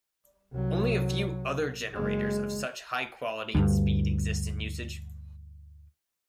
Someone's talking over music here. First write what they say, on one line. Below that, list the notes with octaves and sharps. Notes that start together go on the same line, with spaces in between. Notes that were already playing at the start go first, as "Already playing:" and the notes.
Only a few other generators of such high quality and speed exist in usage.
C2 F#3
F#1 G#3
D2 G2